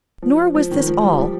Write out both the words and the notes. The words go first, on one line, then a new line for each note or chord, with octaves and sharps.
Nor was this all.
F3
F3
D#3
F3
G3
F3